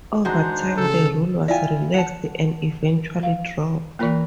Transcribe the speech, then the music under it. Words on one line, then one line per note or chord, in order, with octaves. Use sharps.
Over time the rule was relaxed and eventually dropped.
G#3 D4 D#4 F#4 C5
C#3 A4
E4 F4 D5 G5 G#5
F#5 A5
F5
E3 A#3 F4 A#4 B4